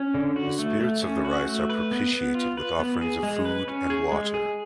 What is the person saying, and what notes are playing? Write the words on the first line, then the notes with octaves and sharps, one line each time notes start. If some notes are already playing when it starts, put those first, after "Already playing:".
The spirits of the rice are propitiated with offerings of food and water.
Already playing: C#4
D3
F#4
A3
A3
C#4
F#4
A3
B4
B3
B3
F4
B4
B3
G#4
G#3
B4
C#4
G#4
G#3
G#4